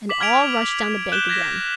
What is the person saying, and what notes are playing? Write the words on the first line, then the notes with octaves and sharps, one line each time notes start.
And all rushed down the bank again.
D6 B6 F#7
F6 G#6 B6 D7 F7
F#6 G6 E7 G7
G#6 A#6 B6 E7